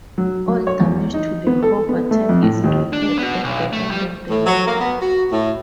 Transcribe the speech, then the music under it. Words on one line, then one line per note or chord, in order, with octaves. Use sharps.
All damage to the hovertank is repaired at the end of the level.
F#3
F#3
C#5
E2
D#4
B3
A4
B3
A3
F2
A2
D#2
D4
B3 F#4
B1
A3
G3
A2
F#3
A#3
B3
F#4
A2